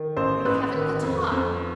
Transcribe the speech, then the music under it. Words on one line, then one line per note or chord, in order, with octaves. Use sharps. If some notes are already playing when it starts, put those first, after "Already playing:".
"We haven't the time."
Already playing: D#3
A1 C5
A1 B4
D#3
F2
F2